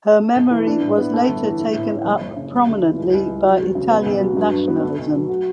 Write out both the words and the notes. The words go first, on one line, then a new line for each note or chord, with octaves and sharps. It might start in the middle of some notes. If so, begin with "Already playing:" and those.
Her memory was later taken up prominently by Italian nationalism.
A3
B1
E3
D4
A2
B3
A3
G1
E3
E4
A2
C#4
F#1
F#1
C#3
G3
D2
E3
C#2
C#2
G3
F#3
E1
C#3
B3
B1
F#3
G2
G2
B3
A3
B1
F#3
F#4